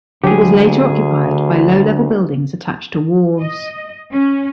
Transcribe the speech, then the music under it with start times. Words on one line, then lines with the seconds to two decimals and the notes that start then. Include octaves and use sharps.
It was later occupied by low level buildings attached to wharves.
0.24 D2 D3 F#3 G4 G#4
3.40 D#5
4.12 C#4